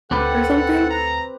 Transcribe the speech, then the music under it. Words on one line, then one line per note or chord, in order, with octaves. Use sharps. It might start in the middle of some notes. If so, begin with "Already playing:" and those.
or something?
D2 C4 G4 A4 B4 F#5
A#5